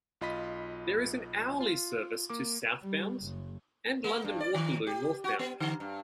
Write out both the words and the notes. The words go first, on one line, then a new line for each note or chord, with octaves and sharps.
There is an hourly service to southbound and London Waterloo northbound.
B1 F4 D#5 B5 B6
F4
A#3 D6
G3
F#1
A#3
G2
D5
D#3
G4
F#4
B3
D3
G2